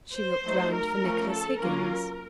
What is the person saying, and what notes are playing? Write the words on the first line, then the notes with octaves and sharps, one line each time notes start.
She looked round for Nicholas Higgins.
C5
F#3 A3 D#4
A#4
F3 A3 C#4 F4
A4
F#3 A#3 C#4 F4 A#4